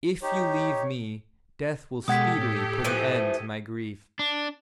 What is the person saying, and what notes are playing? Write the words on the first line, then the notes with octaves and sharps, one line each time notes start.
If you leave me, death will speedily put an end to my grief.'
D#4 G4 C#5
B2 G#3 G4 A4 F#5 D#6 G#6 B6
A2
E3 F3 A3 D#7
D4